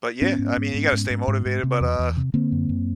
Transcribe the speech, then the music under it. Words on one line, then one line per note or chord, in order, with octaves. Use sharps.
But yeah, I mean, you gotta stay motivated, but, uh,
G#2 B3 C#4
G#2
G#2
G#2
G#2
G#2
G#2
G#2
C3
E2
E2
C3
D3 A#3 C4
F#2
F#2